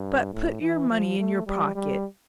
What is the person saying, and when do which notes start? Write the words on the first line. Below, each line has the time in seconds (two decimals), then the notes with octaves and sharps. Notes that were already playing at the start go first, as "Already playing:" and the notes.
But put your money in your pocket.
Already playing: G2
0.33 A2
0.61 E3
0.90 F3
1.18 A3
1.47 G3
1.75 G3